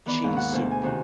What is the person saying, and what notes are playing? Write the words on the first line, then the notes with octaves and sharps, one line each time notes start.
cheese soup."
D#3 E3 B3 D5 B5
D#2 G#2
F#5 F#6
D2 B2 A5
G#5
C3 D#3 C#4 F4 F#4